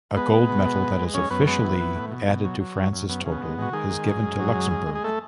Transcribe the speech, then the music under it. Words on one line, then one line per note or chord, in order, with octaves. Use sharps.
A gold medal that is officially added to France's total is given to Luxembourg.
G#3 B3 B4
G#3
B2
G#3
G#3
G#3
F#2 C#4 C#5
F#2 B3 B4
G#3 B3 B4
E3
E3
A2
B2
B2
F#3
F#3
F#2
F#2
F#2 B3
C#3
B3
G#3
G#3 F#4
D#3 G#3 G#4
D#3
F#2
F#2
F#3
F#2
G#3
G#3
G#4
A3 A4